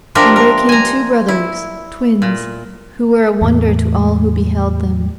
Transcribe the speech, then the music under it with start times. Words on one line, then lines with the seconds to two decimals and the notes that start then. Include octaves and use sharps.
And there came two brothers, twins, who were a wonder to all who beheld them.
0.15 F3 D4 G4 A#4 E5
0.36 A#4
0.69 G#5 A#5
1.28 E4
2.22 A#2
3.41 E2 A2